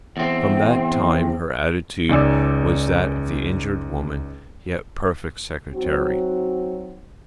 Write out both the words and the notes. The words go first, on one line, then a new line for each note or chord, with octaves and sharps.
From that time her attitude was that of the injured woman, yet perfect secretary.
E2 C4
C#2 D#4 D5 G#5 E6
F#3 C4 D#4 F#4